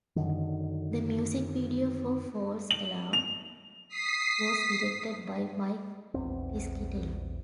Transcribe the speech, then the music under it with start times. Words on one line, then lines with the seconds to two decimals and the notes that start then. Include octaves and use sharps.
The music video for "False Alarm" was directed by Mike Piscitelli.
0.16 F#2 B2 D3 D#3
2.71 F#7
3.13 F7
3.89 D#6 B6 C7
6.14 A#1 E2 C4